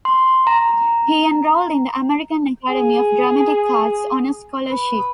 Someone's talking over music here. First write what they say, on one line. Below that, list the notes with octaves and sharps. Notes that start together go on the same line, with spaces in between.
He enrolled in the American Academy of Dramatic Arts on a scholarship.
C6
A#5
G#4
B4